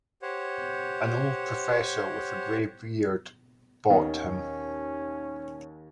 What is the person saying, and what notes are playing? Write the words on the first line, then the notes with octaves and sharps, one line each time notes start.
An old professor with a gray beard bought him.
G4 C5 C#5 F#5
D#2 D#3 C#4